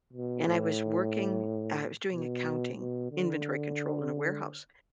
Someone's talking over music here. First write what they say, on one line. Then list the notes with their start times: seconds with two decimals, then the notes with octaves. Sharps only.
And I was working uh, I was doing accounting, inventory control in a warehouse.
0.13 B2
0.47 A2
2.12 B2
2.78 B2
3.11 D3